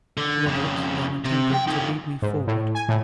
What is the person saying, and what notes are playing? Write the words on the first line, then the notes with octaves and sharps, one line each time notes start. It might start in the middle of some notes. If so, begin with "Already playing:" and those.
Robert then attempted to lead me forward.
D3
F2 C#3
C3
F2 G5
F3 D#4
G#2
A2
G#5
A2